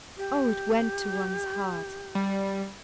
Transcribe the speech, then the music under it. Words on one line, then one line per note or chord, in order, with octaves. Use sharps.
O! it went to one's heart!
G4
G3